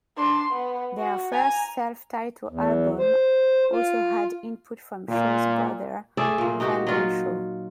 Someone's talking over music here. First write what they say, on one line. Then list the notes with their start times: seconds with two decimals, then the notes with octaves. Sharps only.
Their first self-titled album also had input from Shaw's brother Wendall Shaw.
0.16 D4 C6
0.51 B3
0.97 F#4
1.32 G#5 A#5
2.48 E2
2.99 C5
3.72 F4
5.08 A#2
6.17 A3 G#4 D5 E5
6.38 A#2 A#3
6.60 D#4 F#4 G4
6.87 F#3 F4